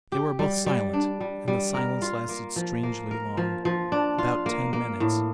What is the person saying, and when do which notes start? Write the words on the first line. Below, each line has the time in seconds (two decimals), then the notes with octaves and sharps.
They were both silent and the silence lasted strangely long, about ten minutes.
0.12 G4
0.39 G3
0.66 G3
0.93 D4
1.20 G3
1.48 G3
1.74 A#4
2.02 F4
2.29 A#3
2.56 F3
2.83 A#3
3.11 A#4
3.37 F3
3.65 F3
3.92 D4
4.18 F4
4.46 A#3
4.73 A#3
5.00 A2